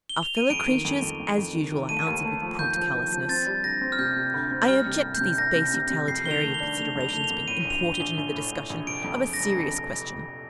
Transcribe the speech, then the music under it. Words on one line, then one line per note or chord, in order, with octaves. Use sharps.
'Our fellow-creatures, as usual,' I answered, with prompt callousness. 'I object to these base utilitarian considerations being imported into the discussion of a serious question.
G7
F7
D#7
F2 D7
D#3
F2
F2
F2
F2
D#3
D#3
A3 D#7
D#2
A3
F3
D#2 G6
F3
D#2
F3
C4 A6
G3
D2 A#6
C4
F6
C3 G6
C3
D2
C4
G3 F6
C3
C2
G6
C3
C2 A#6
C3
C3
C3
F2 C7
D#3 G7
F7
A3
G7
D4
A3 F7
F2
F7
G7
A3 F7
F7
F2
A2 D#7
A#1
F7
A#1
G7
A#1
A#1
A2
A2
A#1
F1 D7
F2
F1
A#6
F1
F2
F1